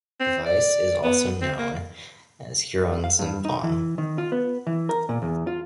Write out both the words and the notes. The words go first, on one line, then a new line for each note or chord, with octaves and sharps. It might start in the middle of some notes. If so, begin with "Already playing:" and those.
The device is also known as Heron's siphon.
C4
D5
B3
C4
A#3
F5
G2
D#4
E3
D#3
F4
B3
E3
A#4
A#2
E2
F4